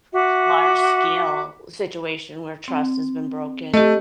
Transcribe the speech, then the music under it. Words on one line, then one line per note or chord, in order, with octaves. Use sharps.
s large scale situation where trust has been broken.
F#4 E5 D6
C4
A3 G4 D#5